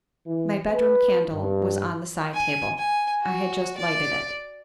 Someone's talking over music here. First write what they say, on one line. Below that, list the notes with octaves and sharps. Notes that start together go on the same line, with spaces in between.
My bedroom candle was on the side-table; I had just lighted it.
E3
B4
G2
G#5
G#5
F#4
D5